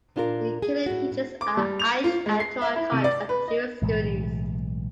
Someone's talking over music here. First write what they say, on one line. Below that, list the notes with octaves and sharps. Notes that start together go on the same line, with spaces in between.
He currently teaches at Aish HaTorah College of Jewish Studies.
A#2 D4 F4 G4 A#4
G#4
A2 F#4
A2
D6
G3
F7
F4
G#3
C7
E5
E4
C3
D5
B4
D#5
B1 A2 E3 G#3